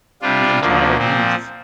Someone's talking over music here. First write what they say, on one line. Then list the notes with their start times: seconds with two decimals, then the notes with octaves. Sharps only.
the entire youth
0.21 C3 G3 D4 F4
0.59 D2 D3 F3 A#3
0.98 A#2 F3 C4